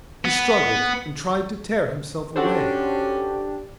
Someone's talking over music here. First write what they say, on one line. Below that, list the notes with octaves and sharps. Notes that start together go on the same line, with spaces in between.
He struggled, and tried to tear himself away.
B3
C#4 D4 F#4 G4 A4 C5